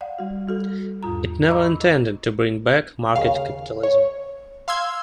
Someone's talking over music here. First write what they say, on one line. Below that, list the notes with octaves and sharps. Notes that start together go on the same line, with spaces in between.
It never intended to bring back market capitalism.
D5 F5 F#5
G3 F#4
G3 F#4 A4
E2 G#2 F4 A#5
D#5 A#5 B5 C#6 D6 E6
D#2 C#3 F5
C#5
F5 C6 E6 G#6